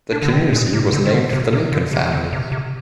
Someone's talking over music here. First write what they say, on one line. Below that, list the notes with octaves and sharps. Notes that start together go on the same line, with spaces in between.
The community was named for the Lincoln family.
D4
D3
D#3
A#2
C3
D3
D#3
D3
C3
C3
D3
C3
D3
C3
C3